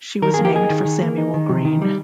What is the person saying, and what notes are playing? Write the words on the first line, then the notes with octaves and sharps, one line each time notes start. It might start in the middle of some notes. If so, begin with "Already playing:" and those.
She was named for Samuel Greene.
D#3 A#4
A#3 G#4
G4
D#4 G#4
D#3
D#3
A#3
D#4
D#3
C3
D#3
G3